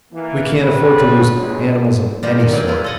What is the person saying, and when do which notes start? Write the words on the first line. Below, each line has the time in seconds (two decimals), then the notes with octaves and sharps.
We can't afford to lose animals of any sort.
0.13 E3 A#3
0.62 G2 C#3 F#3 G3 G#4 B4
1.35 C#2 F#2 D3 F#3 G#3
2.23 G3 D#4 F4
2.40 A#2 D3 D#3
2.52 A2 E3 F#3 G#4 G5
2.67 E4 F4 G#4
2.84 A4 D#5 F#5